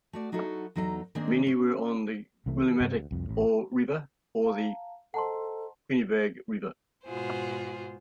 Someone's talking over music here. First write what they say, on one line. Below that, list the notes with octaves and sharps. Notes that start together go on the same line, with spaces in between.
Many were on the Willimantic River or the Quinebaug River.
A3 F#4 D5
F#3 D#4 E4 F#4 A4
E2 F#3 D#4 A4 G#5 A#5
D#3 G#3 A#3 C4 D4 G#4
C#4
C2 C3 E3 A3
D#3
G2 C3 C4
D2
C2 F2
A1 A2
F5 A5 A#5
A4 C5 D#5 F#5 A5 A#5 C6
G#2 B2 F4 F#4 G#4 C5